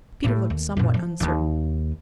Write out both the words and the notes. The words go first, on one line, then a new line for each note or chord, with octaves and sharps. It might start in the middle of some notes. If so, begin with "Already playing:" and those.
Peter looked somewhat uncertain.
A2 G3
D#2
F#2 A#2
F3
D#2 D#4